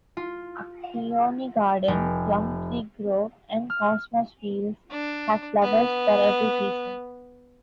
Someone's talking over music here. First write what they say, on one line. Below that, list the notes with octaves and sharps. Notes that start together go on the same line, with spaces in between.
A peony garden, plum tree grove and cosmos fields have flowers for every season.
F4
F1
F6
D4
B3